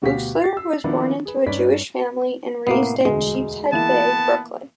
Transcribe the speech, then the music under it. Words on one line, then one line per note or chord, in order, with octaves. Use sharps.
Boosler was born into a Jewish family and raised in Sheepshead Bay, Brooklyn.
D2 B2 F#4 G4 F5 B6
A6 C7
E6
D#3 F3 B3 D4 E4 F4
G#4 B4
G2 C#4 D#4 B4 D5 B6
A2 C3 A#3 B3 C7
E1 D2 G#3
E3 A#3 B3 E4 A5